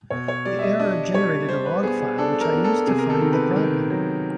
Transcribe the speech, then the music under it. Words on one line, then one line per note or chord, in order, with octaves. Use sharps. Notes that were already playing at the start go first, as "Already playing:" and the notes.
The error generated a log file which I used to find the problem.
B2 C#5
C#5
G3 D5
E5
D#5
D4 D#5
G3 C#5
G3 C5
B4
B3 G#4
G#4
D4 A4
A#4
B3
A4
C3 G#4
A#4
A4
D#3
B4
D#3
F#3